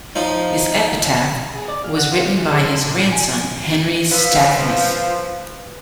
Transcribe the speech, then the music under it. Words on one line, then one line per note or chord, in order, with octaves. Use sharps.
His epitaph was written by his grandson Henry Stephanus.
F3 D#4
G#4
D5
F5
F#5
F4
G3
E3
G#3
C4
A#2
A2
G#5
F3 B4 F5 E6 B6